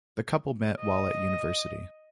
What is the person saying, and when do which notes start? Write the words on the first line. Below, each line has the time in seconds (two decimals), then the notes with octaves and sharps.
The couple met while at university.
0.80 D#5